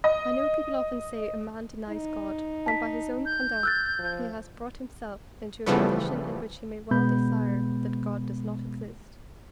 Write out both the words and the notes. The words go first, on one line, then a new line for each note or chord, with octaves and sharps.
I know people often say, a man denies God when by his own conduct he has brought himself into a condition in which he may well desire that God does not exist.
D#5
D#4
A5 B6
G6
E6 F#6 A6
F3
C#3 E3 F3 G3 A3 B3
B2 G#3 B3 B5 G6